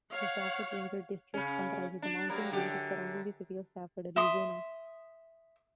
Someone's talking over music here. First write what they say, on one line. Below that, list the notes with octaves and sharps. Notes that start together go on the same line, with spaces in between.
The Safford Ranger District comprises the mountain ranges surrounding the city of Safford, Arizona.
C#5 F5 F#5
C#3 C#4
D4
F#3 G3 A#3
F#2 D3 G4
E5 C6 D#6